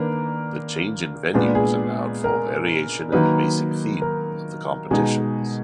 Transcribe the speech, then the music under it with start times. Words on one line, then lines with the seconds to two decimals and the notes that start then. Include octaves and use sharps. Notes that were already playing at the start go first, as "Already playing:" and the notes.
The change in venues allowed for variation in the basic theme of the competitions.
Already playing: D#3 A#3 D4 A#4 B4
1.34 A#2 G#3 B3 D4 G#4
1.55 G#4
2.24 A#4
3.12 D#3 F#3 A#3 D#4 B4
4.02 A#4
4.90 B2 G#3 D#4 G#4